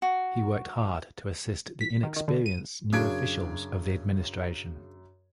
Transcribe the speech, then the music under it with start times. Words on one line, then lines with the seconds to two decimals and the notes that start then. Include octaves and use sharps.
He worked hard to assist the inexperienced new officials of the administration.
0.02 F#4
1.81 B6
2.03 D#3
2.16 D#3
2.28 D3
2.46 D#7
2.93 F#2 C#3 D4 G#6 D7